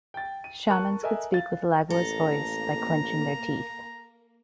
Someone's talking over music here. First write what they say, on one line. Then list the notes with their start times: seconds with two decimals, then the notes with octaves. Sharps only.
Shamans could speak with Lagua's voice by clenching their teeth.
0.14 G5 A6
0.44 D#7
0.70 A#4 A5 C#6 F#6
1.03 A4 A#4 D#5 E5 G#5
1.32 F5 A6
1.90 A1 A#3 A4 A#5